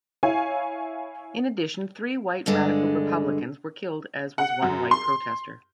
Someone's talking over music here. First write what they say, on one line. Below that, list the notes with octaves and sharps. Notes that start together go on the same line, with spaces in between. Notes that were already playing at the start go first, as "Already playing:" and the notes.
In addition, three white Radical Republicans were killed as was one white protester.
E4 C#5 F5 G#5
G2 D3 G#3
F#5
F#2
C6